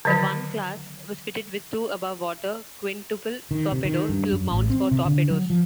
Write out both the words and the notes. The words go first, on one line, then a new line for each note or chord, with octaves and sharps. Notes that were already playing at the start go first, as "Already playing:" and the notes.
The I class was fitted with two above-water quintuple torpedo tube mounts for torpedoes.
D3 D#3 F#3
D#3
C3
D#3
G2
F#2
A1
C4
C3
D3
F#3
F3